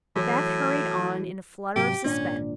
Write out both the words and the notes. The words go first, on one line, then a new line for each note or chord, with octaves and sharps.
Beth hurried on in a flutter of suspense.
A2 E3 F#3
G#2 C3 F#3 G4
G#1 A#2 C#4 D4